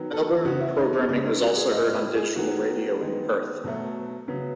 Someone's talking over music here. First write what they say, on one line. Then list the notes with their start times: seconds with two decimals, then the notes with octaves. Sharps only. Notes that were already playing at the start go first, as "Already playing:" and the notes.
Melbourne programming was also heard on digital radio in Perth.
Already playing: D#3 F#3 B3
0.13 A4
0.45 C#3 E3 B3 F#4
0.61 E4
0.77 D#4
0.93 C#4
1.08 C#3 G#3 B3 C#4
1.24 D#4
1.41 F#4
1.57 G#4
1.72 A2 G#3 B3 D#5
1.94 B4
2.15 G#4
2.36 D#3 F#3 B3 F#4
3.00 D#3 G#3 B3
3.64 B2 F#3 A3
4.28 C#3 F#3 B3